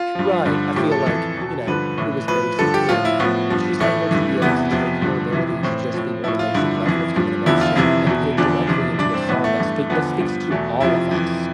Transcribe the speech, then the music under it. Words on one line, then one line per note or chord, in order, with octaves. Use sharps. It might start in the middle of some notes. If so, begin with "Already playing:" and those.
right, I feel like, you know, it was basic in she's able to be able to take her ability to just be more on a basic level of human emotion and put it directly into a song that speak that speaks to all of us.
Already playing: F4
G2 F3
G2 D3 F3
A2 F3 G4
A4
F2 E3 A4
E2 B2
G2 D3 F3 B4
A2 E3
A2 F3 B4
G2 D3 F3 A4
G4
A2 F3 F4
E4
A2 F3 B3
G2 F3
A2 E3 A3
G2 E3
E2 C3 E3 B3
F2 C3 F3
G2 D3 F3
F2 C3 E3
A2 E3 C4
A2 F3
A2 F3 E4
F4
G2 D3 F3 E4
F2 E3
G2 F3
E2 D3 F3 E4
F4
F2 C3 E3 E4
E2 B2
E2 D3 F3 D4
F2 C3 E3
G2 E3 D4
C4
A2 E3 B3
A3
G2 E3
E2 D3 F3 B3
G2 F3
E2 B2 A3
F2 C3 F3 E4
F2 E3